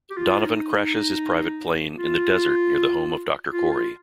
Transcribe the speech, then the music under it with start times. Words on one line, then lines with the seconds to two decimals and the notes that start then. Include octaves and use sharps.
Donovan crashes his private plane in the desert near the home of Doctor Cory.
0.11 G4
0.17 F4
0.38 F4
0.43 D#4
1.98 F4
3.52 F4
3.72 F4